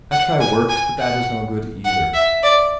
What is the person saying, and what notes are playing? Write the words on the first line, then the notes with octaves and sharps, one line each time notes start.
I try work, but that is no good either.
F#5
G#5
G#5
F#5
F#5
E5
D5